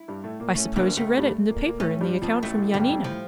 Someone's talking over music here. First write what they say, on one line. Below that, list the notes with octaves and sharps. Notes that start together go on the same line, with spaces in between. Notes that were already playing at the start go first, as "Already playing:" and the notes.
"I suppose you read it in the paper in the account from Yanina?"
Already playing: E4
G2 G3
A2 A3
A#2 A#3
A2 A3 C#4
D2 D3 A#3
C#2 C#3 A3
G2 G3
A#2 A#3
A#2 A#3
A2 A3 C#4
G2 G3
F2 F3
A1 A2 A3
A1 A2
G1 G2 G3
F2
A2 F3